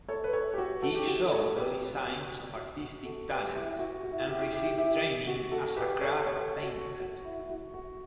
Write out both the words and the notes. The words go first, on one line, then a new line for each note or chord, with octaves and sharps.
He showed early signs of artistic talent, and received training as a craft painter.
A4 C#5
B4
A4 C#5
G4
F#4
F#4 A4
G4
F#4 A4
A4 C#5
G4 B4
F#4
F#4
F#4
F#4 A4
G4 B4
E4 G4
E4
F#4
F#4
E4
F#4
E4 G4
E4 G4
E4 G4
F#4
F#4 A4
G4 B4
A4 C#5
A4 C#5
F#4
F#4
E4
E4
F#4
F#4